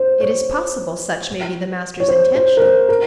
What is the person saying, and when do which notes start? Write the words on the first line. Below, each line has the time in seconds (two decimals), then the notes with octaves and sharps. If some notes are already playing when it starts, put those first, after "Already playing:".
"It is possible such may be the master's intention."
Already playing: C5
0.21 C#5
2.00 C#5
2.08 C5
2.35 C5
2.57 A#4
2.62 C5
2.89 A#4